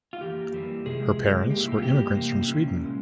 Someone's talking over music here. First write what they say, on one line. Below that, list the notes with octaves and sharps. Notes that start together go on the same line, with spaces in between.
Her parents were immigrants from Sweden.
F4
F2 E3 A#3 G4
F2 E3 G3 A#3
C3 F3 G#3 G#4
C3 F3 G#3
G2 E3 G3 A#3 G4
E4
G4
F4
G2 E3 G3 A#3 G4
C3 E3 G3 A#3
E4
C3 E3 G3 A#3 C#4
A#2 G#3